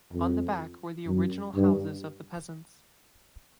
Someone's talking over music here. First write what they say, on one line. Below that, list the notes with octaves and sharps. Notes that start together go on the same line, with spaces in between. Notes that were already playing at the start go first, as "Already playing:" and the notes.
On the back were the original houses of the peasants.
F2
F#2
G2